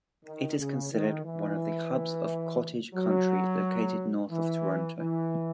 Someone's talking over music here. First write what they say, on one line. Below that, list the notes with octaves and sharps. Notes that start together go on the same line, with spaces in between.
It is considered one of the hubs of cottage country located north of Toronto.
D#3
C#3
D#3
E3
F#3
E3
E3